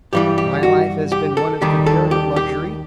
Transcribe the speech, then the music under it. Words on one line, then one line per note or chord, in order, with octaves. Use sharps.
My life has been one of comparative luxury.
G2 E3 G3 G4
G4
F#4
G4
A4
D#2 D#3 G3 G4
A4
G4
G4